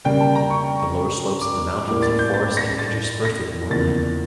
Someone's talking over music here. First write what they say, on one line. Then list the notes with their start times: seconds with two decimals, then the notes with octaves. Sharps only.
The lower slopes of the mountains are forested interspersed with moorland.
0.05 C#3 G3 A#3 G5
0.20 A5
0.35 A#5
0.50 C#6
1.41 D6
1.88 A2 G3 A#3 D6
2.02 A6
2.19 G6
2.34 A6
2.57 A#6
2.79 A6
3.25 A#6
3.71 E2 C#3 F3 A#3 A6